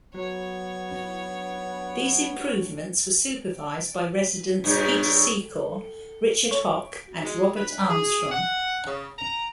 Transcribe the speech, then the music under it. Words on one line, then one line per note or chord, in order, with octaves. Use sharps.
These improvements were supervised by residents Peter Secor, Richard Houck and Robert Armstrong.
F#3 B3 C#5
G2 A#2 C#3
C#5
G#3
B4
G#4
F#5
C#3
A#5